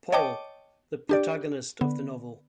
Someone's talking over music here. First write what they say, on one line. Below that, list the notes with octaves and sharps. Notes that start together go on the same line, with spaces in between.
Paul: The protagonist of the novel.
C#5 D#5 G5 A5 D6
D4 G4 D5
D3 B3